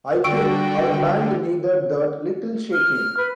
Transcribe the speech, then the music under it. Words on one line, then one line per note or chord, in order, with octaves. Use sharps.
I think our band needed that little shaking.
D3 G3 F#4 G5 C#6 E6 D7
F6
F6
B4